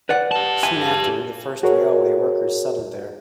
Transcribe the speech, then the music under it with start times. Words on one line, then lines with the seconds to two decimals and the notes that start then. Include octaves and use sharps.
Soon after, the first railway workers settled there.
0.09 B4 D5 F#5
0.31 G4 A5
0.63 E5 G#5
1.63 F#4 G#4 A#4 C#5